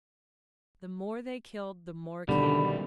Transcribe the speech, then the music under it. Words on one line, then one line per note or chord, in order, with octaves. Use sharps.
The more they killed the more came.
B2 D3 D#3 G3 B5